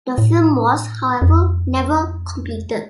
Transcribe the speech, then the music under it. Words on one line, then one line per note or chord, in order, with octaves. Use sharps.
The film was, however, never completed.
A2
F2